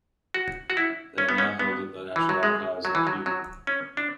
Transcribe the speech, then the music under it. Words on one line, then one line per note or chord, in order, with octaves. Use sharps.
They are now held at The National Archives at Kew.
F#4
F#4
E4
C#4
B3
C#4
B3
E3
F#3
G#3
F#3
E3
F#3
F#3
C#4
D4